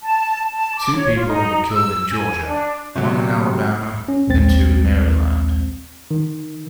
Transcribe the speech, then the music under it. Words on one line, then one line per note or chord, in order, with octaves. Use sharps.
Two people were killed in Georgia, one in Alabama, and two in Maryland.
A5
A5
D6
C#5
F4
D#4
E6
G#5
D4
D2 C3 F#3
C#4
A#1 D#2 G#3 C4 A6
D#3